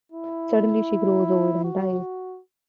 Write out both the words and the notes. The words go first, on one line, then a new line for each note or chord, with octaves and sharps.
Suddenly she grows old and dies.
E4
F#4